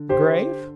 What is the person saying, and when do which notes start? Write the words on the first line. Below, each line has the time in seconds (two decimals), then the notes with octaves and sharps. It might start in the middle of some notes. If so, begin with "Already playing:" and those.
"The grave?"
Already playing: D3
0.09 G4 C5